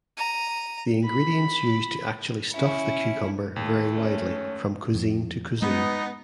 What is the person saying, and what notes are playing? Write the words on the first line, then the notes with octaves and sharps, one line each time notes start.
The ingredients used to actually stuff the cucumber vary widely from cuisine to cuisine.
A#5 D#7
B5
C#4 E4
D#2 G#3 A3
C#4
F2
G#3 B3 D#4